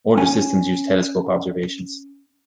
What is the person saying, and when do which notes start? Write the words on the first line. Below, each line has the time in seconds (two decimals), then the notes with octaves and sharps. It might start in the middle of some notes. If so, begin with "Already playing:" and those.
Older systems use telescope observations.
0.18 C#4 G#5